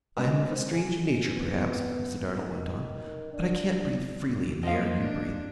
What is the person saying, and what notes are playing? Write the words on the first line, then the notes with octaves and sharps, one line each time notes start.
'I am of a strange nature, perhaps,' Rosa Dartle went on; 'but I can't breathe freely in the air you breathe.
C#3 G#3 C#4 E4 A#4 B4
C4
F#2 F4 G#4
G#4
B3
D#3
D4
F3 A#3 D#5 F5
D4